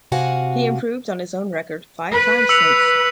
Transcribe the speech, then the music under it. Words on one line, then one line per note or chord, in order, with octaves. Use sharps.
He improved on his own record five times since.
C3 F#4 F5 F#5 G#5
B4
E6 C#7 F7